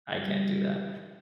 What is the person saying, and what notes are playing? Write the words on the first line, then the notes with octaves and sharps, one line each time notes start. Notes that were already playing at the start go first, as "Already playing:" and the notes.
I can't do that.
G3